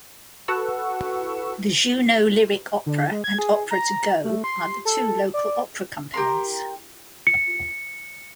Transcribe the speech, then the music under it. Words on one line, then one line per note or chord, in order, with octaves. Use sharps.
The Juneau Lyric Opera and Opera to Go are the two local opera companies.
F#4 A4 B4 F#5 C#6 E6
D3
G#3
G#6
G#4
A#5
A3
C6
A4
D5
G4 A#4 C6
C#7